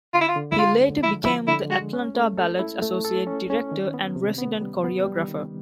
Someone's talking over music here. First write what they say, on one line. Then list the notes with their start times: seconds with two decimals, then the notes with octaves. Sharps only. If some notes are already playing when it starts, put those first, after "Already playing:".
He later became the Atlanta Ballet's associate director and resident choreographer.
0.14 D3 F4
0.21 E4
0.28 F4
0.36 D3
0.52 E4
0.58 G#3 F4
0.81 D3
1.03 F3 E4
1.25 F3 E4
1.47 D3 E4
1.70 G#3 F#4
1.93 C#4
2.15 A3
2.38 A4
2.59 E4
2.82 A3
3.05 A4
3.27 C#4
3.50 C#4
3.72 D#3
3.94 B3
4.16 C3
4.38 B3
4.61 G3
4.84 B3
5.06 G3
5.29 D#3